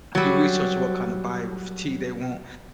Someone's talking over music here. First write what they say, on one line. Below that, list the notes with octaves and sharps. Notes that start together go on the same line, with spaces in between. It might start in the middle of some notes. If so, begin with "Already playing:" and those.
do research on what kinda body or physique they want,
F#3 G3